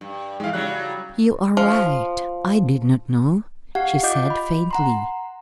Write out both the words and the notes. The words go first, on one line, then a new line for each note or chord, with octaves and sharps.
"You are right--I did not know," she said faintly.
G2
G#2 E3 G#3 F5
C#3 F#3 G3 F#6
F3
G4 F5 F#5
F4 D#5 D6 G6
B5
F#5 A#5 C6